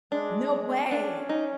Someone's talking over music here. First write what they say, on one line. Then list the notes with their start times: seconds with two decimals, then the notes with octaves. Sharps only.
No way!
0.12 G#3 D4
0.91 C#4 D4
1.29 D#4